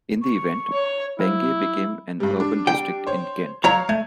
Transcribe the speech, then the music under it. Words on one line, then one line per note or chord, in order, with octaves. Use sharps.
In the event, Penge became an urban district in Kent.
C#6
C#5
F#3 E4 C5
G2 G3
G3 D4
G5
C5 C#5
F#3 C#5 F5 A#5 C#6
A3 G#6